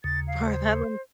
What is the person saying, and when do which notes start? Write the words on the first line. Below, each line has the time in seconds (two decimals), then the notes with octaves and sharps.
For that long
0.04 D#2 C#3 A6
0.28 F5
0.45 C5